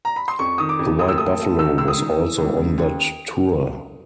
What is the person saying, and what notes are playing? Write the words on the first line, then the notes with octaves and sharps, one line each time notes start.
The White Buffalo was also on that tour.
A#5
B5
C6
F2 C#6
D#3 D#6
D6
F2
D#2 D#6
E6
A3 D#6
A3
D#3 E6
C#2 E6
D#6
D#3
E3
C#2
C#3
D#2